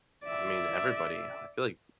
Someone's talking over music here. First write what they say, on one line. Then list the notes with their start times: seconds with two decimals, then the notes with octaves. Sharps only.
I mean, everybody. I feel like
0.24 D5 E5